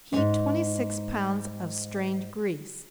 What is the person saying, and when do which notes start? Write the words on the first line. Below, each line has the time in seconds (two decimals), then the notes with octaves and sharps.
Heat twenty-six pounds of strained grease.
0.13 F2 G#2